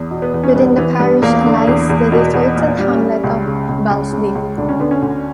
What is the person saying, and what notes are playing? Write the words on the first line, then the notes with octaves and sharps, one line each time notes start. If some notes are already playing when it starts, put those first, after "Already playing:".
Within the parish lies the deserted hamlet of Balsdean.
Already playing: E2
B2
B3
E2
C#4
G2 B3
E3 B3
G2 B3
E2 A#3
D3
E2
E2
B2
E2
A#2
G3
C#4
G3
C#2
C#3
C#2
C#2
C#3
C#2
D2 D4
C#4
D3 B3
C#4
D2